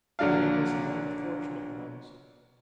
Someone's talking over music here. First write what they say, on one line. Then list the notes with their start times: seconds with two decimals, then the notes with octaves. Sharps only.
Grim was among the fortunate ones.
0.19 A#1 D3 F#3 D4 F5